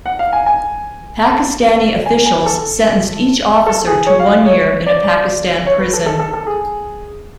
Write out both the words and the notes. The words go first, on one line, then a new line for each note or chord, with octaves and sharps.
Pakistani officials sentenced each officer to one year in a Pakistan prison.
F#5
F5
G#5
G#5
A5
G#5
G#5
A4
A4
G#4
C#5
F5
C#5
D5
C#5
B4
A4
A4
A4
A4
G#4